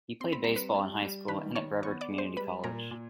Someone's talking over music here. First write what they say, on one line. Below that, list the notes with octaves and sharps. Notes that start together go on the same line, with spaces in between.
He played baseball in high school and at Brevard Community College.
C4 C6
B5
G3 A#5
B4 B5
G3
G3
D#3 B4 B5
D#3 C#5 C#6
B3 C#5 C#6
D5 D6
G#3
C5 C6
G3 B4 B5
A#2 A#4 A#5
A#2